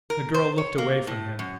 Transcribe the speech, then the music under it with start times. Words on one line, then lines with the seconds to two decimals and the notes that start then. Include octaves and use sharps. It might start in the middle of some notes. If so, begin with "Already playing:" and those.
The girl looked away from him.
0.10 A#4
0.34 C5
0.58 C#5
0.78 A#3
1.07 A2
1.39 F#2